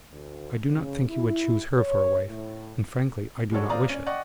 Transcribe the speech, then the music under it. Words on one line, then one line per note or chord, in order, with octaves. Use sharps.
I do not think he would choose her for a wife, and frankly I do not wish it.
D2
C#3
E4
C#5
A2
G3 G#3 D4 F#4 A4 C#5
F#1 F4 C5 D5 A#5 D#6
C#4 D5
D5 D#5 F#5 G5 C#6